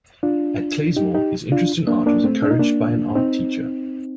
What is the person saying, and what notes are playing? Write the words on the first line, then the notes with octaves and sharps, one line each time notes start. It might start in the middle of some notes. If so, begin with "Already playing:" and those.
At Claysmore his interest in art was encouraged by an art teacher.
D4 F4
D#4 G4
D#4 G4
D4 F4
A#3 D4
A#3 D4
A3 C4
D4
D#4
A#3 D4
C4 D#4